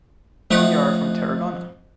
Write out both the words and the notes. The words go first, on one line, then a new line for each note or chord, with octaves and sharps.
We are from Tarragona.
F2 A3 D#4 F#5